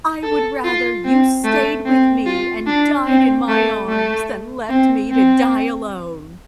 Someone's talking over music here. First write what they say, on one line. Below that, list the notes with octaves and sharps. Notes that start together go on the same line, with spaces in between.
"I would rather you stayed with me and died in my arms, than left me to die alone."
A4
F4
C4
A3
C4
F4
D4
C4
A3
A3
C4
C4